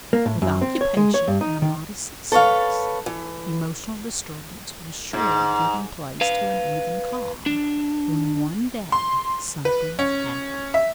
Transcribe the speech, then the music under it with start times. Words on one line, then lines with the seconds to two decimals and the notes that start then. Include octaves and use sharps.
With occupation and a modest success, emotional disturbance was surely giving place to an even calm, when, one day, something happened.
0.13 A#3
0.26 A2
0.42 F#2
0.61 C4
0.81 C#5
0.97 G#3
1.14 C#5
1.28 G2
1.41 D#4
1.62 D#3
2.32 A4 B4 C#5 F5
3.06 E3
5.13 G#2
6.21 B4 F5
7.46 D4
8.92 C6
9.65 B4
9.99 C#4
10.74 E5